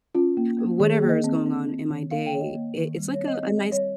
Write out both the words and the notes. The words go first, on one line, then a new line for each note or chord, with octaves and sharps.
whatever is going on in my day. I it's like a nice
C#4 F4
A#3
A#3
D#3 G#4
G#4
A#3
D#5
C4
C4
C4
D#3
A#3 F5
G5
D#3 C#5
D#5
A#3
D#3
G3
C#5
C4
D#5
C4 D#5
D#5
G3
C#5